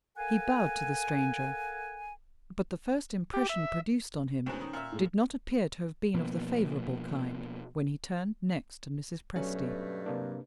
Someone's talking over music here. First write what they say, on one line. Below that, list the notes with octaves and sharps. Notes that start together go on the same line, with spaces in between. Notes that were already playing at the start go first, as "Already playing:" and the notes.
He bowed to the stranger; but the first impression produced on him did not appear to have been of the favorable kind, when he turned next to Mrs. Presty.
A4 A#4 F5 F#5 G#5
G4
E5
D2 G#2 B2 C#4 C5 E7
D#3
A#2 E5
A2 G#3
B2 F3 A#3 B3
G2 B2 F#3 A3 C#4
C3 A#3 D4